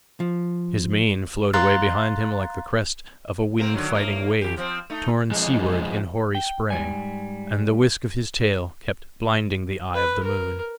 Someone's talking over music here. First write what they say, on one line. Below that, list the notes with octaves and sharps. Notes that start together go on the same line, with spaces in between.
His mane flowed away behind him like the crest of a wind-fighting wave, torn seaward in hoary spray, and the whisk of his tail kept blinding the eye of the moon.
F3
F5 A#5 C6 F#6 A6
A#3 C4 A#4
D3 D#3 F#3
A2 A#3
E2 G4
F3 C4
A3 D#4
F2 G#3
G5
G#2 F#3 G3 G#5
B4
A#4